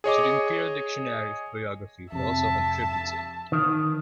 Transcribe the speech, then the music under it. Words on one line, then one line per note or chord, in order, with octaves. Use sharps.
To the "Imperial Dictionary of Biography" he also contributed.
G#4 C#5 D#5 D6
F2 C3 E5 A5
D#3